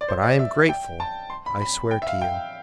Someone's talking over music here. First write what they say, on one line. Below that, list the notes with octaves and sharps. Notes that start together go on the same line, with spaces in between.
"But I am grateful, I swear to you."
D5
C5
D5
E5
G5
A5
C6
B5
B5
G5
E5
F5
G5